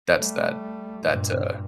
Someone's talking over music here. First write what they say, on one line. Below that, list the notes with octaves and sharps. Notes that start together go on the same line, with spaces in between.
that's that that's uh
G3 A3
G2 A#2